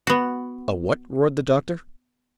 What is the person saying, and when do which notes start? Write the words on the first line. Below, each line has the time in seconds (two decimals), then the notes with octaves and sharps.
"A what?" roared the Doctor.
0.07 B3 F#4